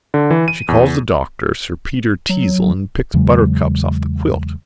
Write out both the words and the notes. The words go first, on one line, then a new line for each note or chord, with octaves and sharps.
She calls the doctor sir Peter Teazle and picks buttercups off the quilt.
D3
E3
D#7
E2
F#3
E2 C#3 F#3 G#3